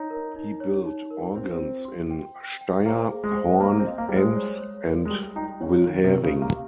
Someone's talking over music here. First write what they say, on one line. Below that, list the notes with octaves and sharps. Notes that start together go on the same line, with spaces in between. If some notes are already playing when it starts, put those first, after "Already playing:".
He built organs in Steyr, Horn, Enns, and Wilhering.
Already playing: D#4 C#5
A#4
D#4
C#5
D#4
A#4
C4 C5
F4
C6
G5
G5
G5
A#3 C5
G#4
G#3
C5
A#3 D#5
A#3
C4
D#5
A#3
G3 C5
G#3
C#5
C#5
A#4
G#3
G3 F4
D#4 G5
C#4 C#5
D#3 F5
C3
G4
C#3
G4
A#3